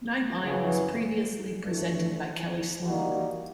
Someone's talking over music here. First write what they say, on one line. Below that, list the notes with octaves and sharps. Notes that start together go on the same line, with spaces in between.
"Nightline" was previously presented by Kellie Sloane.
F#2 C#3 E3
G2 E3 A3 D4
G3 A#3 D#4 F#4